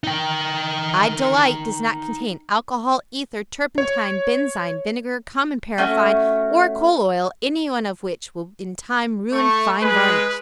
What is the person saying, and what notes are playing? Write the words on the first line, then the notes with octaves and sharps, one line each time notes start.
I-DE-LITE does not contain alcohol, ether, turpentine, benzine, vinegar, common paraffine or coal oil, anyone of which will in time ruin fine varnish.
D#4 G5
C#5
A3 C#4 F#4
A3 C#6
G#3 B4